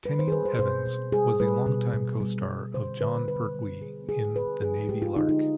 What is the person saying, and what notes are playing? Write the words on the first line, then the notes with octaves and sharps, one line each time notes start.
Tenniel Evans was a long-time co-star of Jon Pertwee in "The Navy Lark".
G3 B4
C5
G#4
G3 B4
C5
B2 C5
B2
G3 G#4
G3 B4
B2
B2
G3
G3
D3 C5
D3 B4
G3 B4
G3
D3 G#4
D3 G#4
D3 B4
F3 G#4
G#3 G4
F4
D3 D#4
D#4